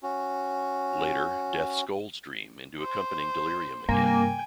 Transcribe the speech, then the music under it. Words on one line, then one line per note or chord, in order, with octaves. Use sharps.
Later, Death scolds Dream into accompanying Delirium again.
C#4 F#4
C5
G2 C3 A#3 G5 G#5